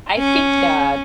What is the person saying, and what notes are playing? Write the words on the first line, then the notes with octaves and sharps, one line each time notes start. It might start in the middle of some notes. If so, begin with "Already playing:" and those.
I think that
C#4